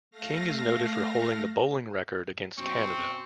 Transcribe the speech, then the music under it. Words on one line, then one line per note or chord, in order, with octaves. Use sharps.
King is noted for holding the bowling record against Canada.
A3 F5 A#6
F#2 B2 C4 C#4 C#6